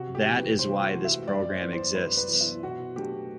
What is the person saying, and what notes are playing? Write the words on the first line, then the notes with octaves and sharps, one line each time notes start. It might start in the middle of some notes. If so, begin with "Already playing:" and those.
That is why this program exists.
Already playing: C3 F#4
G4
E3 A3
B4
C3 C5
F#4
E3 A3
E5
F#2 D5
C5
E3 B3
C5
F#2 B4
B4
E3 B3
E4
B2 F#4
F#3 A3 D4 G4